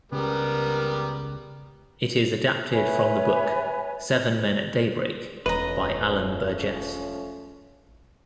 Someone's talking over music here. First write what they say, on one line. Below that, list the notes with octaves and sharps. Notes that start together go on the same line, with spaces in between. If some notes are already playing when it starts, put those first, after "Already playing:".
It is adapted from the book "Seven Men at Daybreak" by Alan Burgess.
C#2 C#3 G3 B3 G4 A#4
B4 C#5 E5 G#5
E1 F3 A3 C#4 B4 D#5 A#5